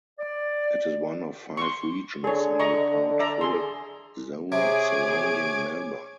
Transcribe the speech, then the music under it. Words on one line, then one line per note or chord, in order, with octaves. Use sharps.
It is one of five regions in the Port Philip zone surrounding Melbourne.
D5
C6 C#6
D3 G#4 C#5
D#5 A#5 C#6
D5 E5 A#5
G#4 A4 C6
C3 G#4 C#5 G#5 D6